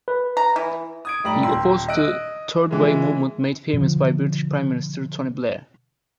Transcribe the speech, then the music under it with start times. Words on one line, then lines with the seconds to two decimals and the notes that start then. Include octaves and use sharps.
He opposed the Third Way movement made famous by British Prime Minister Tony Blair.
0.08 B4
0.37 A#5
0.56 E3
1.05 D#6 G#6 D7
1.24 F1 A2 G3 A3 A#5 F#7
1.43 D#1 G4 C6 E6
1.88 D#5 E6 F#6 D7
2.71 A#2 E3 G#3
3.73 B2 D3 F3